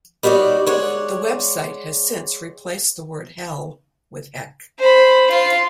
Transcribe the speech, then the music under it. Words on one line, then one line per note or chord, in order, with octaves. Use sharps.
The website has since replaced the word 'hell' with 'heck'.
G3 D#4 F#4 C#5 D5
G#3 C#5 D5 F#5
C5 B5
F4 C6